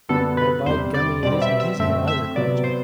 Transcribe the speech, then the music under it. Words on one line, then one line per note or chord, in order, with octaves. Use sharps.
"Well, by gummy, it isn't his head either!" cried John.
F#2 D3 G3 B3 A4
B4
E2 C3 G3 C5
D5
B2 G3 C4 D5
E5
E5
F#2 D3 A3 C4 E5
E5
C3 F#3 B3 D5
C5